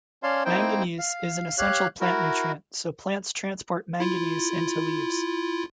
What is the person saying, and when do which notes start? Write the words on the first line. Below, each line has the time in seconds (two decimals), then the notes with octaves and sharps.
Manganese is an essential plant nutrient, so plants transport Mn into leaves.
0.23 C#4 C#5 D5 F5 A5 C6
0.45 A#3 C4 D#4 E4 C5 G5
0.99 F5
1.58 G4 C#5 F5 F#6
2.00 E4 F#4 A#4
4.00 E4 F4